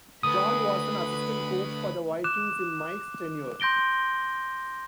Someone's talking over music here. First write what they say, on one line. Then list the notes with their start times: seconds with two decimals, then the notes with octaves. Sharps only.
John was an assistant coach for the Vikings in Mike's tenure.
0.23 D2 B4 B5 D#6
2.24 D6 F#6 E7
3.60 C6 G6 A#6 D7 G7